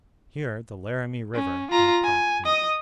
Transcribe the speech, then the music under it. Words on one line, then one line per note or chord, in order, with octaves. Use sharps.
Here the Laramie River and the Platte meet.
C#4
F4 A#5
G#5
D#5 D#6